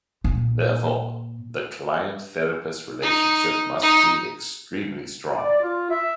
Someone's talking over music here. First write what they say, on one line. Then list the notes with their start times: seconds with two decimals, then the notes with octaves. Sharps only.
Therefore, the client-therapist relationship must be extremely strong.
0.24 A#2
3.02 D#4
3.82 D#4
5.36 D5
5.61 F4
5.90 E5